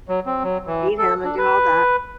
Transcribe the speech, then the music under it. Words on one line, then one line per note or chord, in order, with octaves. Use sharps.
feed him and do all that,
F#3
C4
F#3
E3
A4
D4
B4